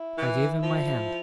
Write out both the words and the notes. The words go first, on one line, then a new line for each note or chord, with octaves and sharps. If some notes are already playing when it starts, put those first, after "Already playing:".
I gave him my hand.
Already playing: E4
E3
F3